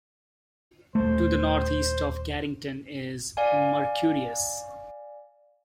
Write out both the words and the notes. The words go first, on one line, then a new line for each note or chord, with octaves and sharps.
To the northeast of Carrington is Mercurius.
D#1 A3 C5
D5 F5 G#5